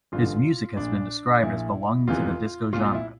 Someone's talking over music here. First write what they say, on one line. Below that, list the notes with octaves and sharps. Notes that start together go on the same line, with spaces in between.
His music has been described as belonging to the disco genre.
A1 G2 D3 F4
A#1 A#2 D4
A#1 A#2 E4
F1 E2 C3 E3 F4
C2 A#2 F4
F4
E4